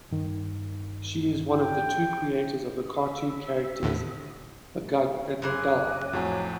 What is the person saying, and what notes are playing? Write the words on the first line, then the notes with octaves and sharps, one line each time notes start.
She is one of the two creators of the cartoon characters McMug and McDull.
G2 D#3
G5
D#2 A2 D3
F#2 C#3 G#4 D6 F#6
F2 A2 F#3 G#5